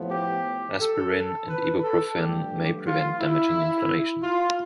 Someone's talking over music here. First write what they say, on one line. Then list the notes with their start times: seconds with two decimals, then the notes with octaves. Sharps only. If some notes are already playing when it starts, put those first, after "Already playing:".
Aspirin and ibuprofen may prevent damaging inflammation.
Already playing: A2 F3 B3
0.11 G4
0.80 A4
1.14 A4
1.49 B4
1.83 A4
2.17 G2 D3 F3 A3 G4
2.86 F4
3.20 E4
4.23 F4